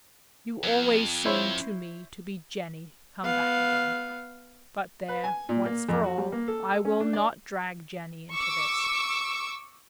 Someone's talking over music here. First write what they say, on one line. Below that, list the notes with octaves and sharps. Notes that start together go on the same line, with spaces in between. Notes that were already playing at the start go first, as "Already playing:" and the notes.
You always seemed to me to be Jenny come back again; but there, once for all, I will not drag Jenny into this.
F2
E4 C5 C#5
B3 F5
B4
G#5
A#2
A#3
F2
F#4
G3
A#3
A4
C#4
D4
D5
C#6 D6 E6